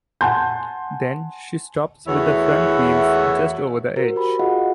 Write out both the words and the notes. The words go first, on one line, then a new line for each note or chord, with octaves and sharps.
Then, she stops with the front wheels just over the edge.
F#5 G#5 A5 C6 G6
E2 A3 E4 F#4 C#5
F#4 A#4 C5
G4 B5
F4 F#4 G#4 D#5 F5 F#5